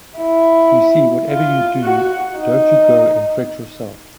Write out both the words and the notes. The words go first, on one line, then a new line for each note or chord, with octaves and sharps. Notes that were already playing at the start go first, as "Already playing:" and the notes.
You see, whatever you do, don't you go and fret yourself.
E4
F4
F#4
D#4